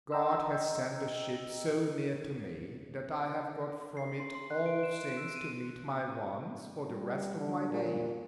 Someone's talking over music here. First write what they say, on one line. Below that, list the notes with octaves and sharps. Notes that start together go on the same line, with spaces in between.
God has sent the ship so near to me, that I have got from it all things to meet my wants for the rest of my days.
D#5 G5 A#5 E6
C7
C6
C6
F#6
D7
E7
D7
E6
D#7
G3
D3
A#2